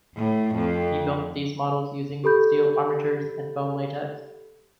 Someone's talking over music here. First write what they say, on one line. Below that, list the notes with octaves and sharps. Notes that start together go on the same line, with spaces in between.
He built these models using steel armatures and foam latex.
A2
F2
G4 A4 B5 G6